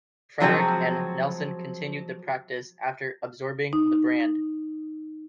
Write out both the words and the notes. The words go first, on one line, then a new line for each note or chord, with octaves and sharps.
Frederick and Nelson continued the practice after absorbing the brand.
C3 F3 F#3 G#3 C4 F#4
D#4